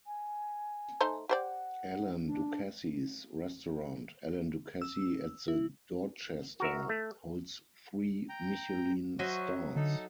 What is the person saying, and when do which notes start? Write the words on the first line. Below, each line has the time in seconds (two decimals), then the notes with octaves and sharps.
Alain Ducasse's restaurant, "Alain Ducasse at the Dorchester", holds three Michelin stars.
0.07 G#5
1.01 A3 D#4 C5
1.29 G4 C5 D5 F#5
2.26 D4
4.82 E6
5.48 E4
6.60 F#4 A#4 E5
6.89 A3
8.29 G5 A#5
9.19 F#3 F#4 C5 D#5 E5
9.76 D3 D#4 A4